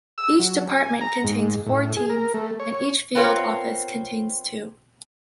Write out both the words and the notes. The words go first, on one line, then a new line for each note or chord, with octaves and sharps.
Each department contains four teams and each field office contains two.
E6
F#3
G#5
A#5
G#2
A2
G#4
A#4
A3
C#5
B3 C4 F4 A#4 C#5